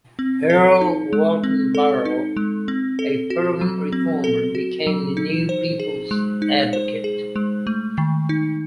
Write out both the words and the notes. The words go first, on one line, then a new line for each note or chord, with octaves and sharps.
Errol Walton Barrow, a fervent reformer, became the new people's advocate.
C4
A4
D#4
G#3
C4
A4
D#4
G#3
C4
A4
F#4
F#3
C4
A4
F#4
F#3
D#4
C5
G#4
G#3
D#4
C5
G#4
G#3
A3
D#3
D#4